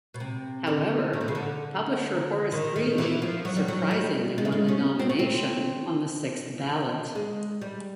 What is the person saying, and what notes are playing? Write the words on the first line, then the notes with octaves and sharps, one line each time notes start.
However, publisher Horace Greeley surprisingly won the nomination on the sixth ballot.
B2
C3
D3
D#3
D3
C#3
D3
D#3
D#3
E3
F3
F#3
G3
F#3
G3
G#3
A3
G#3
C#4
C4
C#4
C4
G#3
G3